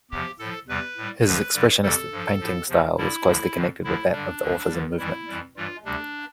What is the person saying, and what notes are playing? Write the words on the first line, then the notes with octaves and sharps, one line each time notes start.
His expressionist painting style was closely connected with that of the Orphism movement.
E2 C3 F3 G4
A2 F3 A4
E2 C3 G3 B4
A2 G3
D2 D3 F3 B4
G2 D3 G3
F2 C3 G3 A4
G2 F3
A2 F3
E2 C3 F3
G2 D3 G3 E4
D2 D3 F3
F2 D3 F3
D2 D3 F3 E4
G2 D3 G3 D4
D2 D3 F3
E2 D3 G3
F2 E3 G3 E4
F2 E3 G3
G2 E3 G3 F4
D2 C3 G3 D4